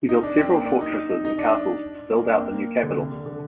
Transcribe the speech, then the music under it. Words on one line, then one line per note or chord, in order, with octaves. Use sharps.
He built several fortresses and castles to build out the new capital.
D#4
D4
C4
A#3
D4
D#4
D#4
D#4
D4
A#3
D4
A#3
C4
A#3
D3
C3
D3
D3